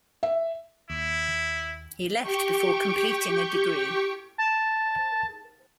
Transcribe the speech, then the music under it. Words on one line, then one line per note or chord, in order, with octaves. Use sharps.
He left before completing a degree.
E5
D#2 E4
G4 G5 C#6
A5